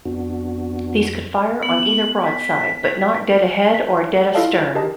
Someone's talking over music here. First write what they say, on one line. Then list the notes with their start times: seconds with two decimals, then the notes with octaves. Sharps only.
These could fire on either broadside, but not dead ahead or dead astern.
0.05 F2 B3 D4 F#4
1.63 B3 F#7
2.24 B6
3.74 B6
4.35 E4 F4 A4 D#5 F5 A5
4.75 G4 G#4 A#4 D#5 A5